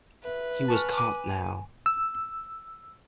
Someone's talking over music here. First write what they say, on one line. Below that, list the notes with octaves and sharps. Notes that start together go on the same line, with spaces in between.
He was caught now.
B4 E5
G#5 A5 C#6 F6
D6 D#7
E6